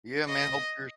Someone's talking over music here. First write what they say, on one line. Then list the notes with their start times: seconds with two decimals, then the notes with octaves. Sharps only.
yeah, man, hope your
0.28 D#5